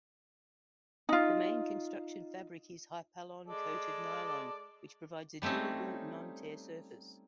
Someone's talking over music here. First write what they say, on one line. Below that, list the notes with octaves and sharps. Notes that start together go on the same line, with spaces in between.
The main construction fabric is Hypalon-coated Nylon which provides a durable, non-tear surface.
D#4 F4
G#3 A4 D5
G3 A3 C4 C#4 D#4